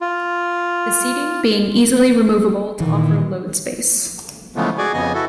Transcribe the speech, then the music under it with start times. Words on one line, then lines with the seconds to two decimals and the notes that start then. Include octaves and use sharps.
The seating being easily removable to offer load space.
0.01 F4
2.80 A#2 D#3 E3
4.56 C#3 E3 F3 G#3 A3 B3
4.78 F#4 G#4 D5 G#5
4.93 F2 C#3 B3 D#5 G#5
5.14 E4 F#4 A4